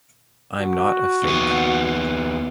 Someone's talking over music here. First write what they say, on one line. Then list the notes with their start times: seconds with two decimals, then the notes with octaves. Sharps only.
I'm not a fake.
0.60 F#4
1.23 D#2 B3